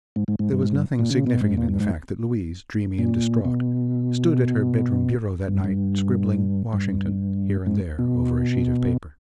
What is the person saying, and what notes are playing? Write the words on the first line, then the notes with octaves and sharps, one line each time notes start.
There was nothing significant in the fact that Louise, dreamy and distraught, stood at her bedroom bureau that night, scribbling "Washington" here and there over a sheet of paper.
G#2
G#2
G#2
G2
G#2
G2
A#2
C#3
B2
G#2
A#2
G2
G#2
A#2
B2
G2
G2
G2
G#2
B2